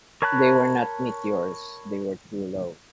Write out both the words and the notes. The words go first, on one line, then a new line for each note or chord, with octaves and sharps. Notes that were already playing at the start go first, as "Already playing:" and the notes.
They were not meteors; they were too low.
A#4 C#5 A5 B5 F#6